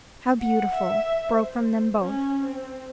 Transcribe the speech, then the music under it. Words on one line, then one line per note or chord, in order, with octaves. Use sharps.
'How beautiful!' broke from them both.
F#5
E5
C5
C#4
C4